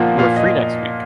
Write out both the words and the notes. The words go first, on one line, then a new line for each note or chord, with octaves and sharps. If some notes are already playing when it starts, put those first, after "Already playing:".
You are free next week.
Already playing: A#2 F3 A#3 F#5
A#2 F5
D#5